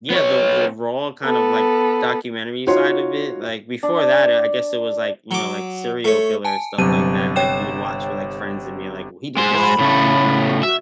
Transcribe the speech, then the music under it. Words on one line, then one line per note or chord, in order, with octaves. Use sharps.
Yeah, the the raw kind of, like, documentary side of it, like, before that, I I guess it was, like, you know, like, serial killer stuff like that, like, you would watch with, like, friends and being like, w “He did what?” you know what I mean?
B3 C#5
B3 A4
D#4 F4 F#4 C#5 F#5 C6
D4
F#3 D6
A3 C#5
G#5 A5
G1 C3 F#3 D#7
C#5 G5 E7
G#3 C5
B5
A2 C#3 A3
F#4 E5